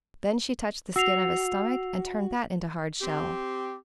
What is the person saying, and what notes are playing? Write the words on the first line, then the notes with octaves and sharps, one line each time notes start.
Then she touched the skin of his stomach and turned that into hard shell.
F#4 E6 C7 F7
C4 G4